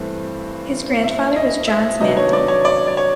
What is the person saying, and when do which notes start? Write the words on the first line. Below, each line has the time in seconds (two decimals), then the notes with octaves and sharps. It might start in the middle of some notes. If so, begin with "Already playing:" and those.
His grandfather was Johns Manville.
Already playing: G2 E3 A3 C4
1.04 E5
1.36 D#5
1.68 E5
2.00 C3 D#3 F#3 B3 D4 D#5
2.17 C#5
2.33 D5
2.48 C#5
2.65 D5
2.87 D5
2.97 C#5